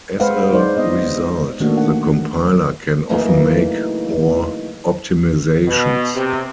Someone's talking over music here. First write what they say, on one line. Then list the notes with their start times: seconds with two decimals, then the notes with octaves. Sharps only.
As a result, the compiler can often make more optimizations.
0.20 G#3 B4 C5 F5 F#5
0.51 G#3 D#4 C5 D5
0.77 B3 D#5
1.60 D#3 A3 A#3 D4 F#4
1.77 F#5
3.09 C#3 E3 F#3 A3 A#3 D#4
5.67 B2
6.16 C3